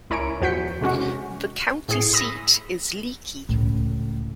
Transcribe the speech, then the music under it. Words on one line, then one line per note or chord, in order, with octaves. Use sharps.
The county seat is Leakey.
C#2 E4 A#4 C#5 G#5 D7
E2 F3 F#4 G6 B6 C#7
C3 G#3 C#4 F#4
A2 G#4 C7
B5 D#6 E6 A#6
C#2 A2